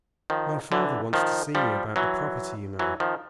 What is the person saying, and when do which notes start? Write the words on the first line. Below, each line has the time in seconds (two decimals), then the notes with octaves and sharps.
"My father wants to see me about the property, you know."
0.30 D#3 F3
0.72 D3 E3
1.13 D#3 F3
1.55 F3 G3
1.96 E3 F#3
2.79 E3 F#3
3.00 D#3 F3